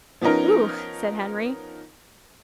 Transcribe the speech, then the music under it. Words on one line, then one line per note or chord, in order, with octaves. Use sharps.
"Whew!" said Henry.
F3 B3 C#4 D#4 A#4